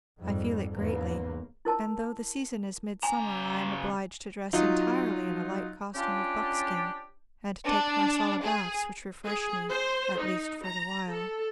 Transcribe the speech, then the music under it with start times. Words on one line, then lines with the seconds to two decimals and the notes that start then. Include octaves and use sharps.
I feel it greatly; and though the season is midsummer, I am obliged to dress entirely in a light costume of buckskin, and take Marsalla baths, which refresh me, at least for the while.
0.19 F2 G#2 G3
0.73 E2 G#2 C#3 A#3 B3
1.65 E4 A#4 A5
3.03 C#3 G#5 A#5
4.53 F#3 D#4 F4
5.94 C#4 D4 F4 G4
7.65 D4
8.43 G#4
9.25 G#4
9.68 C5
10.16 D#4
10.63 A#5
11.09 A4